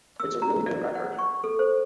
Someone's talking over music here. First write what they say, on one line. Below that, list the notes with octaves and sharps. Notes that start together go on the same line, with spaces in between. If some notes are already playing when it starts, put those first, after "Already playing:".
It's a really good record.
E6
A#5
D5
F#5
C#6
A4
C5